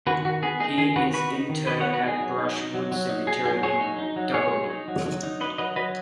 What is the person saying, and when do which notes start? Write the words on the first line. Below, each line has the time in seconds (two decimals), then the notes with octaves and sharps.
He is interred at Brushwood Cemetery in Dubberly.
0.07 D#3 F#4 B4
0.25 D#3 F#4
0.42 B3 G#4
0.60 D#4 G#4
0.78 D#3 G#4
0.96 D#3 F#4 B4
1.13 B3 F#4 B4
1.31 D#4
1.49 D#3
1.67 D#3 B4 D#5
1.81 C#5 F#5
1.85 B3
1.93 F#4 B4
2.03 D#4 G#4
2.20 F#3
2.38 D#4
2.57 D#4
2.74 F#3
2.92 F#3
3.09 D#4
3.27 D#4 G#4
3.45 F#3 G#4
3.63 F#3 G#4 C#5
3.81 D#4
3.99 D#4
4.16 F#3
4.34 F#3 G#4 C#5
4.52 D#4
4.70 D#4
4.88 F#3
5.05 F#3
5.23 D#4
5.41 D#4 B4 D#5
5.58 F#3 B4 D#5
5.76 F#3 B4 D#5